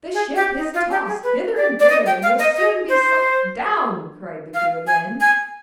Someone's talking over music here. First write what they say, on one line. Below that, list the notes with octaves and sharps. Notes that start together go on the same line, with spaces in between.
'The ship is tossed hither and thither, and will soon be sucked down,' cried the crew again.
G#4
G4
D#4
F4
G4
G#4
B4
D5
D5
D#5
G5
F5
D#5
D#5
C5
F5
G#5
G#5